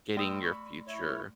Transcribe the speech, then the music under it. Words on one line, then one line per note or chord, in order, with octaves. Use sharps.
getting your future
A3 G5 D#6 E6
B5 C#6
E4 C#5